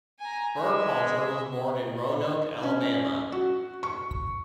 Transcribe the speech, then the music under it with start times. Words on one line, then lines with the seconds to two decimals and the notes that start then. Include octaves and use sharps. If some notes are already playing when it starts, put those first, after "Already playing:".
Burkhalter was born in Roanoke, Alabama.
0.20 G#5 A#5
0.59 G#3 E5
2.63 C#4
3.32 F#4
3.83 C#6